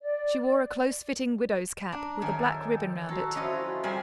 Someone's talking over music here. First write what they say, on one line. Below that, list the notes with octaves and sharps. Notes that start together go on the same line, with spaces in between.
She wore a close-fitting widow's cap, with a black ribbon round it.
D5
D4 A#5
F#2 D#3 F#3 G#4
A4 G5
F#4 A4 C#5 A#5 C6
D3 F3 C#4 E4 F4 D#5
G3 C4 F#4 G#4 A#4 C5 G#5